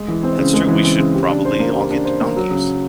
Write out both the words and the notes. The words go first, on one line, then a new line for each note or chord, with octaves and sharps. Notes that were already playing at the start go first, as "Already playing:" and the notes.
That's true, we should probably all get donkeys.
Already playing: G#3
E3
C4
C#3
G#3
E3
C4
C#3
G4
D4
C5
A#3
G4
D4
C5
A#3
F#3
C#3